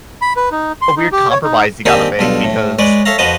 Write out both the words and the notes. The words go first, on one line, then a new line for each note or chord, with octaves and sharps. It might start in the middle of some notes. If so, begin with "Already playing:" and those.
a weird compromise you gotta make because,
B5
B4
D#4
C6
D#4
G4
C#5
D#4
D#3 A#3 C4 D4 G4 G#4
B1 G2 F4 A4
A2
G#3 B4 C#5 D5
A4 C#5 E5 F5 A#5
F2 F3 F#4 B4 D#5 A5